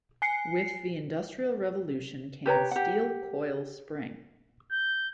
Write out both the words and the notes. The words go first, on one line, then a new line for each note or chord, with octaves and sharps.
With the industrial revolution came the steel coil spring.
G#5 C7 C#7
G4 B4 C#5 A#5
G4 F#5
G6